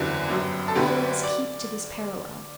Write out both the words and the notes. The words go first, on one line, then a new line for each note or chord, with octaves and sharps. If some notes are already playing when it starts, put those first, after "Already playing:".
Now let us keep to this parallel.
Already playing: F#1 E2 D3 F#3 G4 B4
G1 F#2 F#3
A4
D2 D3 F#3 G4 B4
D5